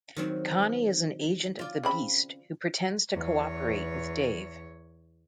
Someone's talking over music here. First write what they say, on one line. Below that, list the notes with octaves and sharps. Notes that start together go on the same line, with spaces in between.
Connie is an agent of the Beast who pretends to cooperate with Dave.
D#3 F#3 C4
F4 D5
C#3 C4 B5
E2 C#5